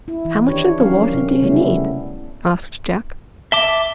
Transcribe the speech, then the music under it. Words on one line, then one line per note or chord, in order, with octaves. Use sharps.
"How much of the water do you need?" asked Jack.
E4
E3
D#3 D4 G4 C#5
F#3 C#4 G4 A#4 F5
C3
C#3 G3 A3 B3 C#4 E4
E5 A5 D6 G7